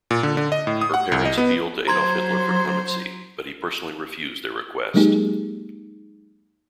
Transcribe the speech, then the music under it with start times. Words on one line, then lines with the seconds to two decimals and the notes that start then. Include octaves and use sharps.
Her parents appealed to Adolf Hitler for clemency, but he personally refused their request.
0.11 A#2
0.23 D3
0.37 D3
0.52 D#5
0.67 A2
0.81 D#6
0.94 F#5
1.12 C2
1.25 D#5
1.37 B3
1.88 F#3 C5 A#5 C6 G#6
4.94 F#3 G#3 A#3 D#4 G4 G#4